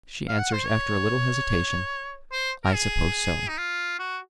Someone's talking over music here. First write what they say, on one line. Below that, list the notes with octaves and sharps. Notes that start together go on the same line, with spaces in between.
She answers, after a little hesitation, 'I suppose so.
F5
F#5
C5
C#5
C5
A#4
G#4
D#4
F4
F#4